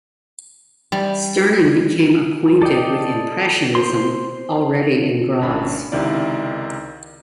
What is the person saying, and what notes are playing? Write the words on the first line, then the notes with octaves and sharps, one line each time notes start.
Sternen became acquainted with Impressionism already in Graz.
G3
A4 D5 D#5 G5
C5 C6
G#1 C#4 D4 B5
C#2 C3 D#3 E4 D5